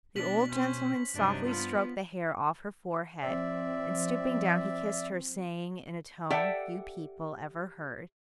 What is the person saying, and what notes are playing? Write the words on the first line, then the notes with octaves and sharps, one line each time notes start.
The old gentleman softly stroked the hair off her forehead, and, stooping down, he kissed her, saying, in a tone few people ever heard...
B2 D4 B6 F#7
C#4 C5
G2 C3 F#3 D4 D#4
F3 B3 F4
F3 C4 D5 E5
G4 A4 D5 E5 F#5 G5